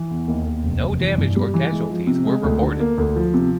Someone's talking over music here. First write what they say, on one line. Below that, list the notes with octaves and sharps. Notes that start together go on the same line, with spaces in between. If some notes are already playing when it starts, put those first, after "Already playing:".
No damage or casualties were reported.
Already playing: E3
E2
D#2
D#2
F1
F1
E3
G2
G3
E3
G#3
F3
C3
G#3
D2
D3
A#3
D2
F3
C3